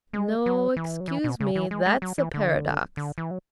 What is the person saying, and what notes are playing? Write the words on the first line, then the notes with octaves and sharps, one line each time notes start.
"No, excuse me, that's a paradox."
G#3
F#3
E3
F#3
E3
B2
C#3
E3
G#3
G#3
F#3
E3
D3
D3
E3
F#3